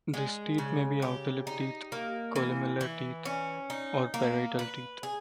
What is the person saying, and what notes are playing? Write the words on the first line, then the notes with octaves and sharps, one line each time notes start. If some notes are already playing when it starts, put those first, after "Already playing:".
These teeth may be outer lip teeth, columellar teeth or parietal teeth.
G#3
C#3
G4
D#4
A#3
E3
E3
C#4
D#4
A#3
B4
G#4